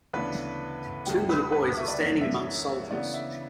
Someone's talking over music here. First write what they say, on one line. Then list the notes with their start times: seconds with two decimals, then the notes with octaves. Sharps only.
Two little boys are standing amongst soldiers.
0.13 D2 C#3 E3 B3 D4 B4
1.06 D2 D3 G3 G4
1.29 B4
1.52 B4
1.77 E5
1.88 D5
1.99 F#2 E3 B3 D4 C#5
2.21 E5
2.91 C#3 E3 B3 D4 D5
3.14 E5